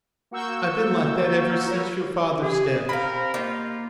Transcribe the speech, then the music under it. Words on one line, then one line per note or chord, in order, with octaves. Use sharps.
I've been like that ever since your father's death.
A#3 F#4 C#6 E6 G6
A#4 B4 C#5
G4 G#4
C4 A#4 F5 B5
A#3 D#4 F4